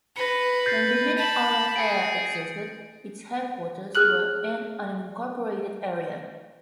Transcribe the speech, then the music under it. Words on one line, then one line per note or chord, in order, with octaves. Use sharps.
When Bimini Island Air existed, its headquarters were in an unincorporated area.
B4 A#6 C#7
G6 A6 C7
A5 B5
G#4 C#7 D7
G#4 F6 F#6 F#7